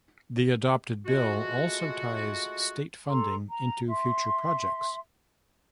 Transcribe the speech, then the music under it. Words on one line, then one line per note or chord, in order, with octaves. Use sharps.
The adopted bill also ties state funding into future projects.
G#3 A3 F4 F#4
A4 A#5 C6
A#5
E5 C6